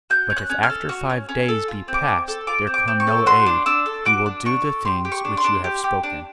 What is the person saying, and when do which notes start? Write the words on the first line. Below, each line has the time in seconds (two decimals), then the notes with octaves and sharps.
But if after five days be past there come no aid, we will do the things which you have spoken.
0.10 F#4 G6
0.30 C#4
0.37 F#6
0.50 C#4
0.63 F6
0.70 A4
0.89 F#4
1.10 C#4
1.29 C#4
1.49 A4
1.68 F4
1.88 C4
1.94 D6
2.08 C4
2.28 A4
2.47 F4 D6
2.67 C4
2.74 D6
2.88 C4
3.00 C#6
3.07 A4
3.26 F#4 C6
3.46 D4
3.66 D4 E6
3.86 A4
4.05 F#4 D6
4.26 D4
4.45 D4 C#6
4.65 A4
4.85 G4 C6
5.05 G4
5.12 C#6
5.25 D4
5.37 C6
5.44 D4
5.64 G4
5.84 G4
6.04 D4